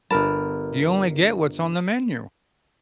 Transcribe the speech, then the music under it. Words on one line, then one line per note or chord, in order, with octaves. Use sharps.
You only get what's on the menu.
G1 A#4 A5 B5